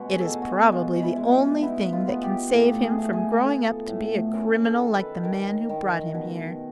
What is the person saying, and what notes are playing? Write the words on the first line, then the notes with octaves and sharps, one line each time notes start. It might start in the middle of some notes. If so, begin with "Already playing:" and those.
It is probably the only thing that can save him from growing up to be a criminal like the man who brought him here.
Already playing: B2 G#3 C#4 F#4
G#4
A4
B2 G#4
F#4
G#3 F4
E4
G#3
D#4
B3 E4
F4
B3
G4
A2 A4
G#4
A3
G#4
A3 A4
A2
C#4 A#4
A4
D#3
B4
D#3 A#4
D#3
B2